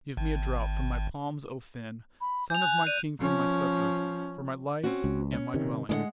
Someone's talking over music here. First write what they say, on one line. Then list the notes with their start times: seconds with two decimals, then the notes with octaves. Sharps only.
Give me a draught from thy palms, O Finn, Son of my king for my succour, For my life and my dwelling.
0.17 G#1
2.21 B5
2.50 G#5 G6 F7
2.62 F#6
2.87 D5 D#7
3.19 F3 C#4
4.84 C4 C#4 F#4
5.04 C#2
5.32 C#4
5.54 C3 D#3
5.89 A2 D3 G#3 D5 F#5